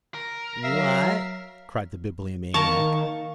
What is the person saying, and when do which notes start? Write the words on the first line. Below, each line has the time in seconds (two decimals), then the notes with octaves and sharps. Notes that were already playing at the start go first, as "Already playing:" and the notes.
"What?" cried the Bibliomaniac.
0.14 A#4
0.63 F#3 E5 F5
2.54 D#3 A#3 A5 A#5 C#6